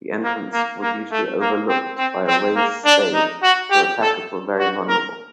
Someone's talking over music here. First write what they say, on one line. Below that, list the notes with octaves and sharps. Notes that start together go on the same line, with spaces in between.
The entrance was usually overlooked by a raised stage so attackers were very vulnerable.
A#3
A#3
A#3
A3
A#3
C4
C4
C4
A#3
D4
D#4
F#4
G4
A4
F#4
A#4